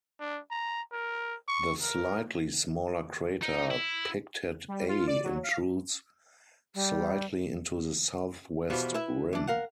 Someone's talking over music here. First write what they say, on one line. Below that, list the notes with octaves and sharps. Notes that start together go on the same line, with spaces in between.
The slightly smaller crater Pictet A intrudes slightly into the southwest rim.
D4
A#5
A#4
C#6
A#4
D#4
E4
G3
F4
D5
F#3
F5
G3
B2 E3 F3 G3 B3 F#4
E4 B4 E5
E3 D4
A#4 F5 F#5